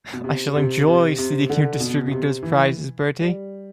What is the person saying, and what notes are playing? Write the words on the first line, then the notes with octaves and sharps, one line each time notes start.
I shall enjoy seeing you distribute those prizes, Bertie.
B2
C3
C3
C3
C3
D3
B2
B2
C3
E3
G3